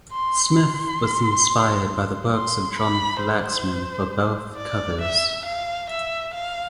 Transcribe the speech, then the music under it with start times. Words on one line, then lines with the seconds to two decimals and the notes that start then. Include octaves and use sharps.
Smith was inspired by the works of John Flaxman for both covers.
0.12 C6
0.55 C6
2.33 C6
2.78 B5
3.22 C5
4.56 D5
5.01 E5
5.45 F5
5.90 E5
6.33 F5